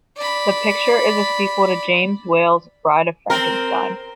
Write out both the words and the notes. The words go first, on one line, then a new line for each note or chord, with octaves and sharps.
The picture is a sequel to James Whale's "Bride of Frankenstein".
D5 B5
C4 A#4